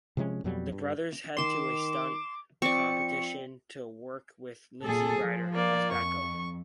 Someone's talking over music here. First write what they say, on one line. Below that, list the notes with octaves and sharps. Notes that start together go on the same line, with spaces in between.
The brothers head to a stunt competition to work with Lindsay Rider... as backup!
C3 F3 G#3 C#4
F2 B2 F#3 G3
G2
D#3 C6 D6 E7
F3 C4 D5 C#6 C#7
A#2 G#4 A4
F3
A#3 D5
F2 C#6